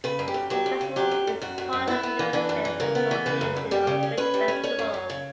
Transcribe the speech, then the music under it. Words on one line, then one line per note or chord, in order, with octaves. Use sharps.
The festival is part of the United States Association of Fringe Festivals.
C#3 B4
F#2
G4
F#2
F#3 G4
F#2
C#3
F#3 G4
F#2
F#2
F#2 F#4
F#2
F#2
B3 E4
B3
E3
E3 D4
F#2
E3
C#3 A#4
B3
E3
C#3 B4
F#2
F#2
G3 G4
C#3
C#4
C#4 B4
G3
C#4
C#4 C#5
F#2
F#2
C#3